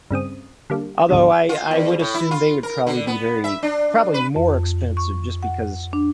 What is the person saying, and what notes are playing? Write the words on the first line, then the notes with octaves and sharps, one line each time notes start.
Although, I I would assume they would probably be very probably more expensive just because
G2 C#3 C4 D#6
D3 G3 A#3
G#1 D2 B2 D3 G3
F4
E2
A2
E4
F4
A#4
D3
B3
E5
D4
B4
F2
C#6
F#5
D4